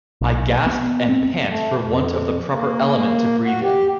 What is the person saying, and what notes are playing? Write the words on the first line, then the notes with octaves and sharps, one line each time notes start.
I gasp and pant for want of the proper element to breathe in.
B1
B3
C4
A3
F2
A#3
F#4
G4